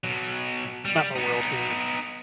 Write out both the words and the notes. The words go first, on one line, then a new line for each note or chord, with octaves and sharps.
it's not my world here, and
B2 F#3
G3
B3 D#4